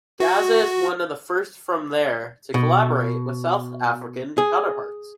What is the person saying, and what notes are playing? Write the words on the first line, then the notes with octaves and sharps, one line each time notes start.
Gazza is one of the first from there to collaborate with South African counterparts.
F#4
B2
G#4